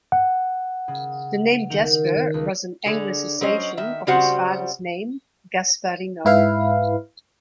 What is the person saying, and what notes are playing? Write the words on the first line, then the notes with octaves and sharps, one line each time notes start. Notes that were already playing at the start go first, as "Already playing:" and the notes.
The name Jasper was an anglicisation of his father's name, Gasparino.
F#5
C#3
D#3
C#2
D3 G#4
F#3 C#4 C5 D#5
D#3 E5
C#3 G3 C4 F#4 C5 F#5
G#2 E4 B4 F5